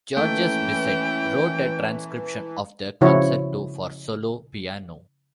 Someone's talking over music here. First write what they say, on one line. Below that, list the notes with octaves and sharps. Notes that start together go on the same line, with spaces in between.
Georges Bizet wrote a transcription of the concerto for solo piano.
E3 A3 A#3 C#4 E4 G5
C#3 F3 E4 F#4 C#5